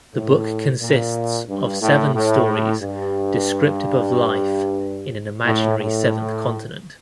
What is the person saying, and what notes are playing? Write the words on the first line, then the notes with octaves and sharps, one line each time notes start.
The book consists of seven stories descriptive of life in an imaginary seventh continent.
A2
A#2
G2
A2
A2
G2
A2
A2